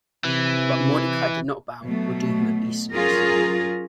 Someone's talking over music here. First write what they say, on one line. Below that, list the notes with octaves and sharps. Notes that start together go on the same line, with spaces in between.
But Mordecai did not bow, or do him obeisance.
C3 E3
B2 F#3 A3
F#3 C#4 F4 G#4 A#4